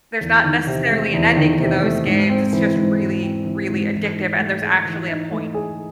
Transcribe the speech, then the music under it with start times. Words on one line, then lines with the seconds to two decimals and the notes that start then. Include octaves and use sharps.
there's not necessarily an ending to those games, it's just really, really addictive, and there's actually a point.
0.21 E2
0.44 D#3
0.67 C3
0.90 A3
1.14 E2
1.37 D#3
1.60 C3
1.83 A3
2.06 G#2
2.29 C4
2.53 E3
2.76 G#2
2.99 G#2
3.22 C4
3.45 E3
3.69 G#2
3.92 E3
4.15 D#4
4.39 A3
4.61 G#4
4.85 E3
5.08 D#4
5.31 A3
5.54 G#4